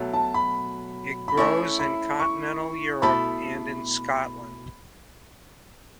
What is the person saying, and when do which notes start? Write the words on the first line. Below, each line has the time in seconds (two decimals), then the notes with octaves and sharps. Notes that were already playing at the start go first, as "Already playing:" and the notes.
It grows in continental Europe and in Scotland.
Already playing: B2 F#3 A3
0.13 A5
0.34 B5
1.28 B5
1.37 A3 C#4 E4 C#6
1.79 B5
2.20 C#6
3.02 B2 A3 E4 A4 B5